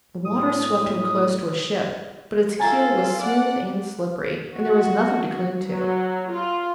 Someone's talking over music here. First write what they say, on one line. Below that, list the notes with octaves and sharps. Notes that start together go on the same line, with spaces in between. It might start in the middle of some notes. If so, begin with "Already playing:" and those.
The water swept him close to a ship, but its keel was smooth and slippery and there was nothing to cling to.
A2 D#6
F4 A4 G#5 A#5 A6
D5 F#5
F#4
F#3
F4